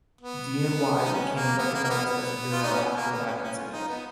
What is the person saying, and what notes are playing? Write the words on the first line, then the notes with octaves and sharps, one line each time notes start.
Dian Wei became recognised as a hero after that incident.
B3
D#4
C#4
A#3
B3
A#3
A#3
B3
B3
F4
D#4
C#4
B3
A#3
B3
C#4
B3
C#4
F4
D#4
B3